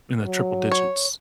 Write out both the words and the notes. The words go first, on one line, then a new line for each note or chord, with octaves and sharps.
in the triple digits,
F#3
C#5